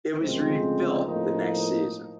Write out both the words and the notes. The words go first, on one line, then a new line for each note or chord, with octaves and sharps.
It was rebuilt the next season.
D2 C#3 F3 G#3 C4
A2 F3 A#3 D#4